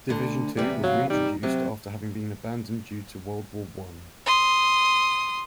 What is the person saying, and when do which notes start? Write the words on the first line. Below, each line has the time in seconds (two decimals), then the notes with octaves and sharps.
Division Two was reintroduced after having been abandoned due to World War One.
0.09 D2 D3
0.57 E2 C3 G3 B4
0.83 F#3 F5
1.10 G3 D#4
1.43 C3 F#3 C4
4.26 C6 D#6